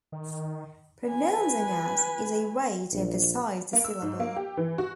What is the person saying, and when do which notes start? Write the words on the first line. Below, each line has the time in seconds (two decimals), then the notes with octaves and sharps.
Pronouncing as is a way to emphasise the syllable.
0.12 D#3
1.06 B4 G#5
2.92 A#1
3.73 A#3
3.84 E6
4.02 G#2
4.20 A#3
4.36 G4
4.57 E3
4.78 F#4